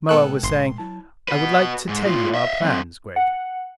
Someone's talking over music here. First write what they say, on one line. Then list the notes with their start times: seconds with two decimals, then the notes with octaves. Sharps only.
Moa was saying, "I would like to tell you our plans, Gregg."
0.09 A#2 G#3 B3 A4 G5 F#6
0.43 G1 C6
0.78 F#3 E4 A5
1.28 F#4 B4
1.89 G#2
2.06 A2 F4
2.34 D#5 E5
2.62 F#3 C4
3.16 F#5